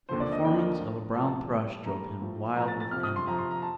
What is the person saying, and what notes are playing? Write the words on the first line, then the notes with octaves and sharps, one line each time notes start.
The performance of a brown thrush drove him wild with envy.
D#2 D3 F3 C5
D5
D#5
D#2 D3 F3 G5
A#4
A2 F3
A2 F3 A5
A2 G3
A2 G3 A#5
A2 F3
A2 F3 A#5
A6
A6
F2 C3 F3 F6
D#6
C6
F2 C3 F3 A#5
C6
A#5
A5